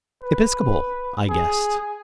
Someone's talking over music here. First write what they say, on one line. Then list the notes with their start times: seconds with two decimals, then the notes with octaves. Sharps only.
"Episcopal?" I guessed.
0.22 B4
1.29 G#4